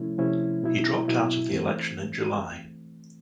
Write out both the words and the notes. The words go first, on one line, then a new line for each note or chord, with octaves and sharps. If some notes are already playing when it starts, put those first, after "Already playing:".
He dropped out of the election in July.
Already playing: C3 F3 A3 C#4 E4
C3 F3 A3 C#4 E4
B2 F#3 B3 E4
B2 F#3 B3 E4
E3 A3 C4